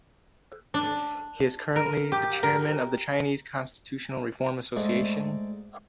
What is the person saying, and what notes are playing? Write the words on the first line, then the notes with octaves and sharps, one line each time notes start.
He is currently the chairman of the Chinese Constitutional Reform Association.
D4
A#4
G4
A#4
G#2 A3 D4 D#4